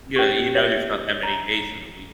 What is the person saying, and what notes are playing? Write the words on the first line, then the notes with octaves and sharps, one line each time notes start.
Yeah, you know, there's not that many days in a week,
C#4 G4
C#5 E5
A#5